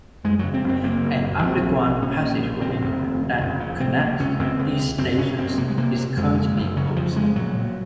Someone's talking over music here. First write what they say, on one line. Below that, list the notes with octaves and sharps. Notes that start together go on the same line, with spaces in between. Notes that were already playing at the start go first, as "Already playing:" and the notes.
An underground passageway that connects these stations is currently closed.
F#2 G#3
C#3 F#3
C4
F#1 C4
F#1 A#3
F#1
F#1
A#1 C4
A#1
A#1
A#2 C#4
A#2
A#1
C#3 C4
F1
D#2
C#3
F1
C#3
C3 C4
C#2 A#3
C#2 C#4
C#2 C4
C#2
C3
F#1 C4
C3 C#4
F#1 C4
C3 A#3
G#3
C3 A#3
C3
F2 G#3
C#3
F#1
C#3 F#3
F2 F3
C#3 G#3
A#2 F#3
A#2